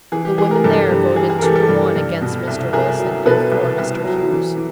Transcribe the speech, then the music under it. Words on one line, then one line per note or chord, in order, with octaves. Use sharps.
The women there voted two to one against Mr. Wilson and for Mr. Hughes.
E3 G#4
G4
E3 G#4
G#4 A#4
G2 G4 A4
G2 G4
E3 G#4
G#4
A#4
E3 G4 A4
G4 A4
G2
G2
B2
C2
C2 G#4 A#4
F#3
B2 A4 B4
C2
C2
F#3
E3
E3